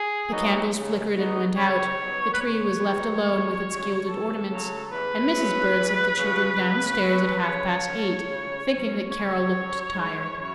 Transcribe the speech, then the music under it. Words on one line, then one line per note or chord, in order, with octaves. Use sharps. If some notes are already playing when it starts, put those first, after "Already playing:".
The candles flickered and went out, the tree was left alone with its gilded ornaments, and Mrs. Bird sent the children down stairs at half-past eight, thinking that Carol looked tired.
Already playing: G#4
F#3 B3 D#4
C#3
F#3 B3 D#4
C#3 C#5
F#3 B3 D#4
B4
C#3 C#5
F#3 B3 D#4
E2
C#3 F#3
E2 A4
C#3 F#3
E2 B4
C#3 F#3
E2
C#3 F#3
C#3
F#3 C#4
C#3 C#5
F#3 C#4
C#3
F#3 C#4
C#3 C#5
F#3 C#4
G#2
F#3 C#4 E4